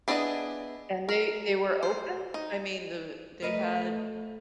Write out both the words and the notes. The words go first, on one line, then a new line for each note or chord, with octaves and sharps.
and they they were open, I mean, the they had,
B3 D4 E4 G#4 D#5
A#4
C5
D#4
A3 A#4 B4 D#5